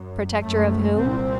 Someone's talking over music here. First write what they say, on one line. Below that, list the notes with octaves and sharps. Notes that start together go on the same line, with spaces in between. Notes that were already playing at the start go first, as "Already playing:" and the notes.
Protector of whom?
Already playing: F#2
F#2 A3
C2 A#2 C4